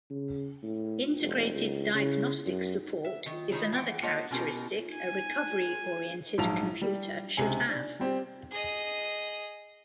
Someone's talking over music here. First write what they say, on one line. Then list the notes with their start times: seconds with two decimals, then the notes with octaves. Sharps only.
Integrated diagnostic support is another characteristic a recovery-oriented computer should have.
0.10 C#3
0.63 A2
1.21 F1
1.54 C#2
1.94 C#3
2.46 F#2
3.04 E5
3.26 D#3
3.51 D#3 D#4 E4 G#4 C#5
3.72 E3 F#5 G5
4.02 A#3 D4 F4 C#5 D#5 F#5
4.31 B2 C#4 F4 G4 A#4
4.95 G#5
6.38 A#1 G#2 F#3 F5 A5 F7
6.81 G3
7.37 C#2 C3 G#3 G#5
7.69 D4
8.00 G3 C4 G4
8.51 G#4 D#5